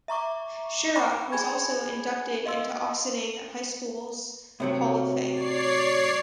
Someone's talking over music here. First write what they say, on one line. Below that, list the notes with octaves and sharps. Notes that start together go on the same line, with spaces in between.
Sharrock was also inducted into Ossining High School's Hall of Fame.
E5 A#5 C#6 D6
G5 A#5 B5 C#6 D6
G#4 G#5 B5 G#6
D#5 F5 C6 E6
A2 C3 F#3
C#5 D5 C7